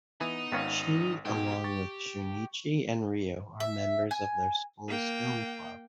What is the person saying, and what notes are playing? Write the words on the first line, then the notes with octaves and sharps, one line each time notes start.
She along with Shunichi and Riho are members of their school's film club.
E3 B3 D#4
G#1 D#3 B3 C#4 F5 F#5
G#2 B2 G4
C#6 A6
E5
G#5
A#3 G5